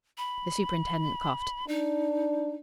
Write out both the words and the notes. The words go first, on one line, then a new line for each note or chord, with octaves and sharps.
The superintendent coughed.
B5
D4 D#4